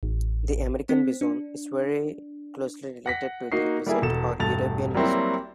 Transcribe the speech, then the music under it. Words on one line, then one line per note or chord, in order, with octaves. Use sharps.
The American bison is very closely related to the wisent or European bison.
A1
C4
D4
F#5 A#6 B6
A#3 D#4 F#4 C7
G3 A#3 E4 G#4
E1 A4 E7
E1 G2 A3 A5 A6 F7
F#3 G3 A#3 C4 E4 F#4